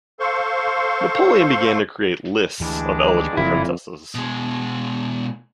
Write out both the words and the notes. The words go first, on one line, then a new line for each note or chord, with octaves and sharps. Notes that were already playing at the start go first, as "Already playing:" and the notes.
Napoleon began to create lists of eligible princesses.
A4 C5 F5 C6 C#6
D2 G2 E3 G#3 D4
F#1 F2 A#2 E4
B2 G#3